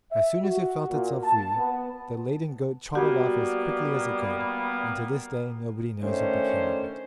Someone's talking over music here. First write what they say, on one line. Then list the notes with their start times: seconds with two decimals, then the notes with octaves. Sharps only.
As soon as it felt itself free, the laden goat trotted off as quickly as it could, and to this day nobody knows what became of it.
0.12 E5
0.42 F#4
0.91 A#2
1.24 A5
1.57 B3
2.95 G3 A#3 B3 F#4 G4 F#5
6.02 D#3 A3 C#4 D4 C5